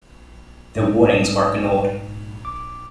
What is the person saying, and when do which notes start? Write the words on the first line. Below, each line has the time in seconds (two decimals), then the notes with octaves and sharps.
The warnings were ignored.
0.76 G#2
2.45 D6